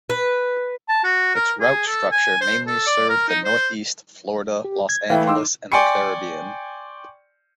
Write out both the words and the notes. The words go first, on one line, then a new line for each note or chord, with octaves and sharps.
Its route structure mainly served the Northeast, Florida, Los Angeles and the Caribbean.
B4
A5
F#4
A#4
G#4
A4
G#5
C5
A4
D5
A#4
D#4
C5
G4
G#6
E3 A3 E4 F5 G5
D#4 C6 D6 E6
D5 G5 G#5 C6 C#6 C#7